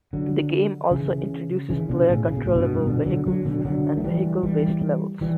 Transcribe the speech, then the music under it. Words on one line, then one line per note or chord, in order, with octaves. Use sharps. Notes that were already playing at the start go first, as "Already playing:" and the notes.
The game also introduces player-controllable vehicles and vehicle-based levels.
D3 F#3
C#3 E3
C#3 E3
B2 D3
A2 C#3
C#3
B2
A2
G2 B2
B2 D3
D3 F#3
D3 F#3
B2 D3
G3
D3 F#3
A3
E3 G3
E3 G3
E3 G3